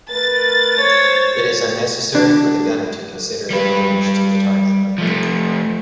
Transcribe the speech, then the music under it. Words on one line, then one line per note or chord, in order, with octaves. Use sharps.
It is unnecessary for the gunner to consider the range to the target.
A3 A#4 B4 A6
C5 C#5
D4
G3 B4
F3 A3